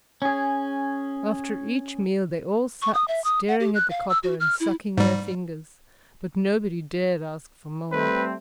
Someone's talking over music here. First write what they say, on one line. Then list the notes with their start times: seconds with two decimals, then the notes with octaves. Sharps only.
After each meal they all sat staring at the copper and sucking their fingers, but nobody dared ask for more.
0.22 C#4 G#4
2.82 C#6
2.94 D#6
3.08 E5
3.24 D#6
3.48 F#5
3.60 G4
3.75 F#6
3.90 F5
4.09 E6
4.23 F#4
4.40 F6
4.60 E4
4.98 G#2 G3
7.92 G3 A3 C4 B4